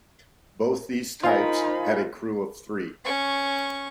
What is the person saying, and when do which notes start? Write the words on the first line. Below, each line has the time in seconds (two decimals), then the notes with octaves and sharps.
Both these types had a crew of three.
1.23 D#4 F4 A#4 C5 F5 G#5 B5
3.05 C#4 C#6